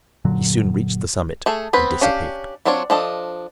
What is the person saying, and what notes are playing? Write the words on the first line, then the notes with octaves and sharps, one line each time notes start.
He soon reached the summit, and disappeared.
F#1 A#2 D3 F#3
A3 G#4 A4
B3 C4 B4
C#4 D4 G4 F5
F#3 C4 D4 F4 C#5
F3 D4 A4 D#5